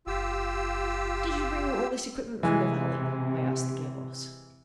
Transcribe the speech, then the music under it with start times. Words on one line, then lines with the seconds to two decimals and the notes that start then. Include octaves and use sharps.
"Did you bring all this equipment from the valley?" I asked the Gear Boss.
0.07 F#1 F4 G4 E6
2.43 C3 E3 G#3